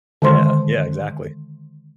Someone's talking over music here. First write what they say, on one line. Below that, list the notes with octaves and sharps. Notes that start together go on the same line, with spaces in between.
Yeah, yeah, exactly.
D3 D#3 G#3 C5 C6